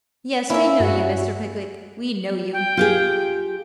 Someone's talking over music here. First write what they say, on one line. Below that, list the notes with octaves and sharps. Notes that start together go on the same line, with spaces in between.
Yes; we know you, Mr. Pickwick; we know you.'
A#3 C#4 E4 C#5 E5
G2 F#4
G5
F4 G4 G#4